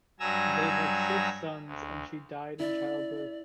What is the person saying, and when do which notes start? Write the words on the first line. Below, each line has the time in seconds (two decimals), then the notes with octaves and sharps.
They had six sons and she died in childbirth.
0.20 G2 F#3 G#5 A#5 E6
1.65 D2
2.60 E4 D5